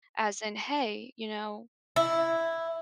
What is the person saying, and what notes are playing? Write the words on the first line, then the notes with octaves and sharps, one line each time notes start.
as in, "Hey, you know,
E4